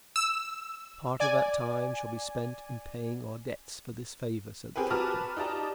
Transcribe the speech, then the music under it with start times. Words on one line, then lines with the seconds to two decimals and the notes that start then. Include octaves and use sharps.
"Part of that time shall be spent in paying our debts for this favour," said the captain.
0.16 E6
1.20 D5 G#5
4.76 C4 G4 G#4 A#4 B4
4.90 F#4 B4 A5 A#5 D6 F6
5.37 D#4 G4 D5 A5 A#5